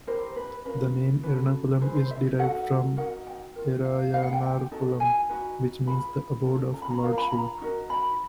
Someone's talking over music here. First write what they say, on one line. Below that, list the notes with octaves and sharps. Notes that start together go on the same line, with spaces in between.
The name "Ernakulam" is derived from "Erayanarkulam" which means the abode of Lord Shiva.
E4 G4 A#4 C5
B4
C#4 F4 A#4 B4
C#4 F#4 A4 B4
E4 G#4 B4 C5
C5
E5
D#4 F#4 A4 F#5
D#4 F#4 A#4 F#5
G5
F4 A#4
F5
D#4 G#4 B4 F5
F#5
G5
G5
D#4 F#4 A4
G#5
D#4 F#4 B4
F4 G#4 B4 B5
C#4 F4 A4
A#5
B5
A#5
D4 F4 A#4
B5
A#5
D#4 F#4 A#4
B5